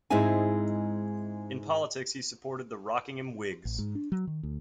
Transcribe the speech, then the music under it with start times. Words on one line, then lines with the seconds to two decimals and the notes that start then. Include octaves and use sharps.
In politics he supported the Rockingham Whigs.
0.10 G#2 G#3 C4 D#4 E4 G#5
3.65 A1
3.79 G#2
3.95 D4
4.12 F#3
4.27 D#3
4.43 D2